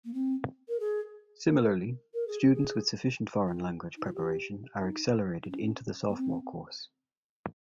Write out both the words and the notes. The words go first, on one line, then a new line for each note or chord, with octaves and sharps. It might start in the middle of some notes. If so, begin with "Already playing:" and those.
Similarly, students with sufficient foreign language preparation are accelerated into the sophomore course.
A#3
C4
A#4
G#4
A#4
A#4
G#4
G4
G#4
F4
D#4
F4
G4
D#4
D#4
C#4
A#3
C4